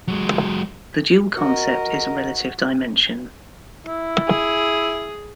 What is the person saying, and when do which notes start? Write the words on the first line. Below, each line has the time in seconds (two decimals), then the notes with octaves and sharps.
The dual concept is relative dimension.
0.08 F#3 G#3
1.37 F#4 A#4 D#5
3.87 E4
4.28 G#4